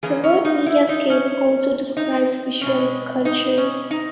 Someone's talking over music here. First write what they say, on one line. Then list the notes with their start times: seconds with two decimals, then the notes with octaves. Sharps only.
The word "mediascape" also describes visual culture.
0.03 E3 A#3 C#4 G#4
0.24 C#4
0.45 D#4
0.66 E4
0.89 D#4
1.10 C#4
1.97 D#4
2.61 B2 G#3 C#4
3.25 D#4
3.58 C#4
3.91 D#4